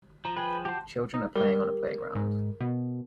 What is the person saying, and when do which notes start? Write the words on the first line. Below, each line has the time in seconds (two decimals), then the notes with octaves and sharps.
Children are playing on a playground.
0.25 F3 A#5
0.37 G#4 B4 G5
0.65 F#4 G4 C5 A5
1.14 D#4
1.36 G3 A#4
2.15 G#2
2.60 B2